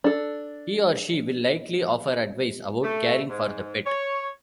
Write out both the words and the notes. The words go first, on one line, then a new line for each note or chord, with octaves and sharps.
He or she will likely offer advice about caring for the pet.
D4 A4
A3
G#2
C#5